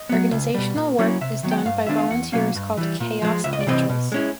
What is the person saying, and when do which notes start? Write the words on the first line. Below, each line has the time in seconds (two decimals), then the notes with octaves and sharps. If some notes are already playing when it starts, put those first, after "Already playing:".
Organizational work is done by volunteers called "Chaos Angels".
Already playing: D#5
0.09 F#3 B3
0.31 C#2
0.54 B2 G3
0.76 A#2
0.99 F#3 A#3 C#4 E4
1.21 C3 E5
1.43 D#3 F#3 B3
1.51 G5
1.58 F#5
1.65 G2 F5
1.87 D#3 G#3 B3 D4 E5
1.98 F5
2.10 E2 F#5
2.32 B2 F#3 A#3 C#4 F5
2.55 G2
2.77 E3 G3
3.00 A#2
3.22 F3 G#3
3.44 C#2 E5
3.53 D#5
3.61 D5
3.67 C3 E3 G3 C4 D#5
3.89 B2
4.12 G#3 C#4 E4